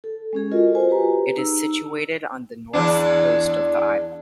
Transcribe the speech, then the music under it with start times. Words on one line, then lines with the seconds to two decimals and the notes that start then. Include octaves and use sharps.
It is situated on the north coast of the island.
0.04 A4
0.33 G#3 C#4 G#4
0.51 F4 F#4 A4 A#4 D#5
0.75 F4 F#4 C5 G#5
0.89 G4 B4 A#5
1.36 D#4 G#4 A#5 E6
2.73 E2 D4